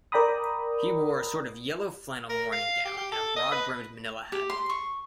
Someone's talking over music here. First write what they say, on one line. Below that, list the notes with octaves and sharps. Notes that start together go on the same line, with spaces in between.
He wore a sort of yellow flannel morning-gown, and a broad-brimmed Manilla hat.
A#4 D5 G5 A#5 B5 D#6
A#4
F5
G4
G4
A4
D#5
B4
G4
C6
C#6